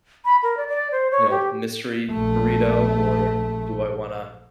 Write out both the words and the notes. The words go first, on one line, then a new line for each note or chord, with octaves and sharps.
you know, mystery burrito, or do I wanna,
B5
A#4
D5
D5
C5
C#5
G4
A#1 A3